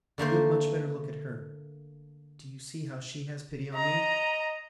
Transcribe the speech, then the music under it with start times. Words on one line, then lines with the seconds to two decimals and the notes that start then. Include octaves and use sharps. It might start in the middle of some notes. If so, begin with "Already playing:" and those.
You had much better look at her--do you see how she has pity on me?
0.18 D3 A3 A#3 C5
3.74 D#5 A#5